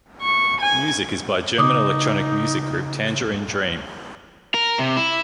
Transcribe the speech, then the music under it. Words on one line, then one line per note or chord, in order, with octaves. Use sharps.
Music is by German electronic music group Tangerine Dream.
C#6
G#5
C#3 D#4 D6 D#6
A#4
C3
E4